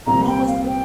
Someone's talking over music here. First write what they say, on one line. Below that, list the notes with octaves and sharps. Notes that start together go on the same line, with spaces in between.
what was the
C2 A#2 G3 C4 F4 A#5
G5
F5
G5